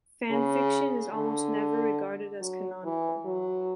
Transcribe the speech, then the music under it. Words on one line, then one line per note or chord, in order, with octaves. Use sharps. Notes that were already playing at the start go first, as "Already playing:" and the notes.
Fan fiction is almost never regarded as canonical.
C#3
D3
F#3
E3
F#3